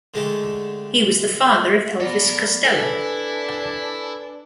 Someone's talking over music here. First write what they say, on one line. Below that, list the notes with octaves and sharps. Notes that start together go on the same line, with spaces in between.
He was the father of Elvis Costello.
D3 G#3 A3 G4 A4
F#3 B3 A4 A#4 D5
D4 E4 A4 B4 G#5 A5